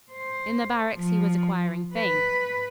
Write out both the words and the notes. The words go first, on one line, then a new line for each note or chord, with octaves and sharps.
In the barracks he was acquiring fame.
C5
F3
B4